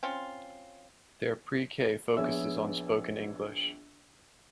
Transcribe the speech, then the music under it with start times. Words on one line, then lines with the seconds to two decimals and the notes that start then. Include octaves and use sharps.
Their Pre-K focuses on spoken English.
0.03 C4 C#4 F4
2.17 A#1 B3 G#4 C#5 E5 E6